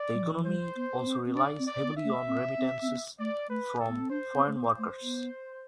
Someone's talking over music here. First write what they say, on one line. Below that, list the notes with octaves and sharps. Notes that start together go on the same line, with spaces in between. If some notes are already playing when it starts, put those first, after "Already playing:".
The economy also relies heavily on remittances from foreign workers.
Already playing: D5
G3
F3
E3
F3
G3 C5
B3
B3
C4
C4
D4 D5
C4
D5
B3
E5
A3
C4
C4
C4
B3
A3 D5
A3 B4
A4
B3
C4
D4 C5
C4
A3
B3 C5
A3
B3